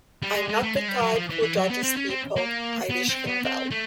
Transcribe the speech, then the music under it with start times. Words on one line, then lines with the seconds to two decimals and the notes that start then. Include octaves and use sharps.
I'm not the type who judges people, I wish him well.
0.22 G3
0.35 G#3
0.49 G#3
0.63 A3
0.76 G#3
0.89 G3
1.02 F#3
1.15 F3
1.30 E3
1.42 E3
1.57 F#3
1.70 B3
1.83 C4
1.97 C#4
2.10 C4
2.36 A#3
2.90 B3
3.09 C4
3.27 B3
3.45 C4
3.71 A3